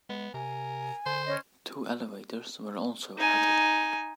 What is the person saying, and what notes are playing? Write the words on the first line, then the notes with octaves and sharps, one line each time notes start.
Two elevators were also added.
G#3 B3
C3 A#4 G#5
D3 C5
C#4 C#5 D#5
D#4 G#5